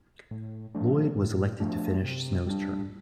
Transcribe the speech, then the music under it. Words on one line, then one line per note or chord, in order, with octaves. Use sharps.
Loyd was elected to finish Snow's term.
A2
F3 A3 D4
A2
F3 A3 D4
C3
G3 D4